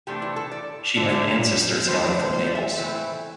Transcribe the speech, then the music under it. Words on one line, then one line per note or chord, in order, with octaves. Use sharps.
She had ancestors hailing from Naples.
E2 C3 A3 D4 G4
E4
A4
D5
D3 A3 D4
A2 E3 A3 D4 C5
C5
C5
D5
E5
A2 E3 A3 C4